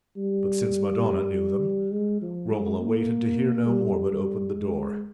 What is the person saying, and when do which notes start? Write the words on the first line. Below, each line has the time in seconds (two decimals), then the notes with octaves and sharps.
But since madonna knew them-- Romola waited to hear no more, but opened the door.
0.17 G3
1.92 G#3
2.22 F3
2.50 G#3
2.79 A#3
3.68 G3
4.11 G3
4.55 G#3